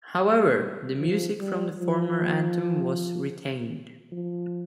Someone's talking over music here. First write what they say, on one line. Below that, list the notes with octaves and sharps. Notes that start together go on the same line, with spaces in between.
However, the music from the former anthem was retained.
G3
F3
G3
F3
F3